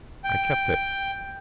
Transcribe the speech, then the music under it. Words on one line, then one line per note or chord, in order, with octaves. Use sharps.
"I kept it."
G5